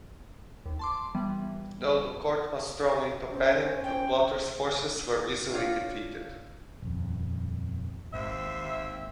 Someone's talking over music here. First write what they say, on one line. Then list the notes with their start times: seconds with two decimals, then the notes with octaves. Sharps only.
Though the court was thrown into panic, the plotters' forces were easily defeated.
0.66 D#2
0.79 A5 C6 D6
1.15 E3 G3 B3
3.32 C#4 C5
3.84 G5
5.53 D4 F4 C#5 F5
6.82 D#1 F2
8.13 G#1 D#2 C4 E5